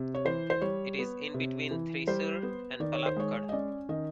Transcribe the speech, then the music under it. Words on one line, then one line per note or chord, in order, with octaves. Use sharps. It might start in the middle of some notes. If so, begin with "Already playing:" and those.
It is in between Thrissur and Palakkad.
Already playing: C3
C#5
E3 C5
C5
G3 C#5
B3
C3
E3
G3 C5
B3
D#3 D5
C#5
C5
G#3 C#5
D#5
C#4 D5
D#3 D#5